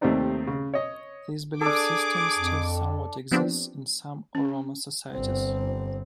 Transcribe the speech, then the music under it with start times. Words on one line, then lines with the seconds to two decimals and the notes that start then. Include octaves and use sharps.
This belief system still somewhat exists in some Oromo societies.
0.01 D#2 C3 A3 C4 D#4 D5
0.47 C#3
0.74 C#5 D#5
1.61 D4 G#4 A4 D6
2.38 F2
3.31 F3 B3 C4 D4 G4
4.35 C#4
5.12 G1 C4